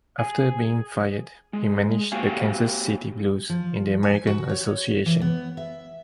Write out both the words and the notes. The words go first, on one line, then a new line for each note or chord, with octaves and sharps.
After being fired, he managed the Kansas City Blues in the American Association.
G#4
G#3
A#3 F#4 G4 F5 G#5
F3
G#5
F#4
C#5
E3
B3
E5